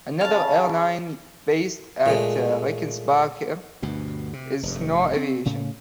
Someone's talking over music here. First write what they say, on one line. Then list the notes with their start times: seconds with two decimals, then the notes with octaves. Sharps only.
Another airline based at Rickenbacker is Snow Aviation.
0.21 C#3 F5 A5
2.06 A#2 G#3 A3
3.82 D2 G2 B2
4.33 C3
4.63 F1 G2
5.16 C4
5.45 A2 C#3